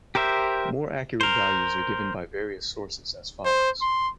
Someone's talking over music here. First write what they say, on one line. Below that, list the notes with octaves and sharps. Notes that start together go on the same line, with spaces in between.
More accurate values are given by various sources as follows.
G4 A#4 C5 E5
A#4 C5
C5
C6